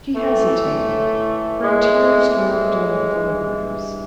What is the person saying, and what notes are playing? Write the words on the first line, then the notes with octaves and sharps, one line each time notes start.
She hesitated; her tears dropped on the photographs.
A2 E3 A3
G#3
G#3
G2 E3